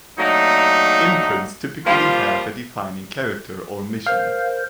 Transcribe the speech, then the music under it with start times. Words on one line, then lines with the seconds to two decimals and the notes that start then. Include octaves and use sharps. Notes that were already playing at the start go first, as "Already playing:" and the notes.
Imprints typically have a defining character or mission.
0.18 F#3 A3 A#3 D4 D#4
1.85 F3 G3 A#3 F4
4.06 A#4 C5 F5